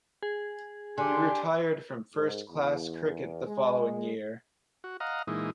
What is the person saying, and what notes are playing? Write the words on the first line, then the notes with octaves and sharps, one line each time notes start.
He retired from first-class cricket the following year.
G#4
D3 D4 G4 G#5 C6
G#2
E2
G#3
F#4
D#5 F5 F#5 A#5
A#2 E3 G#3 D#4